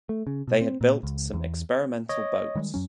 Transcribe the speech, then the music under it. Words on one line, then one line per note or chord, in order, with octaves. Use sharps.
They had built some experimental boats.
A3
C#3
B2
C4
A#2
C#2
E2
C#5 D#5
D#3 G3 G#3
F#2 F#3 C#4